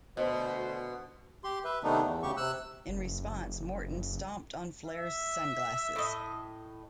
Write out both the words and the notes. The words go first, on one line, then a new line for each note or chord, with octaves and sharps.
In response, Morton stomped on Flair's sunglasses.
D2 B2 C5
G4 C6
B4 E5
C3 D#3 A3 B3 D4 D#4
E2
D2 C#3 G4 C#6
C3 E6 F#6
F#1
E5
A2 D#5